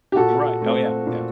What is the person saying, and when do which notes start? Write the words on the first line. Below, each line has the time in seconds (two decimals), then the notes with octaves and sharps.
Right, oh yeah, yeah.
0.12 G4
0.16 A#2 F#4 A4
0.62 A3 C4
1.07 A#2